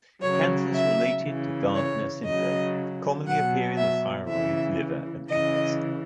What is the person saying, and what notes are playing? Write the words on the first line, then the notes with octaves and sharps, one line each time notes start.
Cancers related to Gardner syndrome commonly appear in the thyroid, liver and kidneys.
C#3 F#3 C#5
E5
C#3 E3
C#5
C#3 F#3 D#5
B2 F#3 F#5
E5
C#3 E3 E5
C#3 E3 D#5